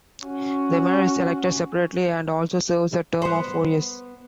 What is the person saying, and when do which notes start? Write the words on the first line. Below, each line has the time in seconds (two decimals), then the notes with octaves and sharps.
The Mayor is elected separately and also serves a term of four years.
0.23 C#4 F#4
3.22 B3 C5